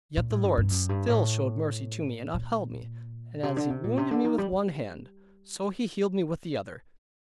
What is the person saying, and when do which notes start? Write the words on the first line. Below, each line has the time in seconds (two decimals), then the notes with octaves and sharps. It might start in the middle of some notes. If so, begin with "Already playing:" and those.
Yet the Lord still showed mercy to me, and upheld me; and as He wounded me with one hand, so he healed me with the other.
0.17 A#2
0.30 A2
0.44 G2
0.57 G2
0.71 F#2
0.89 G2
1.07 A2
2.34 A#2
3.43 C3
3.56 D3
3.70 C3
3.84 A#2
3.97 C3
4.11 D3
4.24 D#3
4.38 G3
4.51 G3